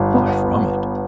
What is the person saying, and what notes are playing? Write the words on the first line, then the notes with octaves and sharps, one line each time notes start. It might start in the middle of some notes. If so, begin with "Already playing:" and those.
Far from it.
Already playing: G1
B3